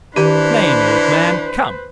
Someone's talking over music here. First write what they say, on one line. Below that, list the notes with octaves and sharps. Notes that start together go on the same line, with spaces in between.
"Flame, old man! come!"
D#3 E3 D4 G4 B4 C5